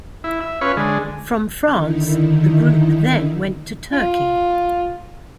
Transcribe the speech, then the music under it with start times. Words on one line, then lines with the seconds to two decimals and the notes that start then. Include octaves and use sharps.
From France, the group then went to Turkey.
0.24 E4
0.41 E5
0.61 C#4 F4 B4 C#5
0.77 D3 G#3
1.61 D3 D#3 D#4 E4
3.92 F4